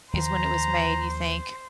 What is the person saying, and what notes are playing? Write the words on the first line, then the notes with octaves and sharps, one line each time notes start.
i is when it was made, you think?
D#2 D#3 F3 C5 A#5